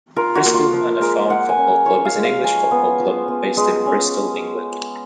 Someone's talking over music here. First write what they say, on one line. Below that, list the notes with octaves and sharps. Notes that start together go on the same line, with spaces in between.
Bristol Manor Farm Football Club is an English football club based in Bristol, England.
F4 A#4
F#4
A#3
F4
F3
G#3 A#4
A#3 F#5
G#5
C#4
F3 C#5
F5
G#3
F5
F3 G#5
B3
F3
B3
G#3
C#4